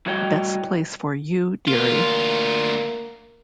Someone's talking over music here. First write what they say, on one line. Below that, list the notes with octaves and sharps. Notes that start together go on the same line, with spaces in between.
The best place for you, deary.
A2 G3 F#4 C#5 D#5 G5
D2 A#3 F4